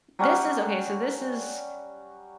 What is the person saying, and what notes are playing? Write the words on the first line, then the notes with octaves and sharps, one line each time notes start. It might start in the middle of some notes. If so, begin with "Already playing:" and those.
this is okay, so, this is
F#3 G3 C#4 F#5